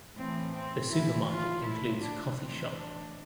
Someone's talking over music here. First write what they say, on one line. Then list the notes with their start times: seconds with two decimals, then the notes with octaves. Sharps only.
The supermarket includes a coffee shop.
0.17 A2 E3 C4
0.53 C4
0.90 A2 E3 E4
1.27 F4
1.64 A2 F3 E4
2.00 D4
2.37 A2 E3 C4
2.73 D4